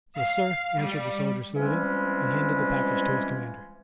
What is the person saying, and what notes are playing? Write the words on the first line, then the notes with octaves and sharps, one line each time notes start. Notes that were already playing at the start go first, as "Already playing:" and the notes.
"Yes, sir," answered the soldier, saluting, and handing the package to his commander.
F5
G3
E3 F3 G3 G#3 C4 C#4